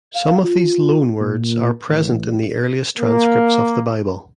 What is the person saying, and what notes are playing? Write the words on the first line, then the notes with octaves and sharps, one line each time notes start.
Some of these loan words are present in the earliest transcripts of the Bible.
F5
F4
A#2
A1
A#3